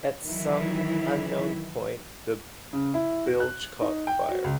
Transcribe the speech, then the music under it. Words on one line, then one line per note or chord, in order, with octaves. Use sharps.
At some unknown point the bilge caught fire.
D#3 E3 F#3 E4
C#3
E4
F#4
F#6
D#4
G5
F#4
C#2